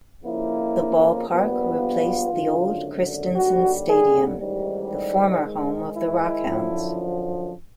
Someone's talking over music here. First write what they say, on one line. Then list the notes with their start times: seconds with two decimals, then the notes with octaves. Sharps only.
The ballpark replaced the old Christensen Stadium, the former home of the RockHounds.
0.23 F2 C#3 F3 A#3 E4
1.28 A#1 A#2 G3 B3
1.79 F4
2.31 G#1 F#2 D3
3.35 D#2 D3 G3 F#4
3.87 G#4
4.39 A1 G#2 D#3 G3
5.44 G#2 D#3 G#3
5.95 E4
6.48 F#2 D3 F3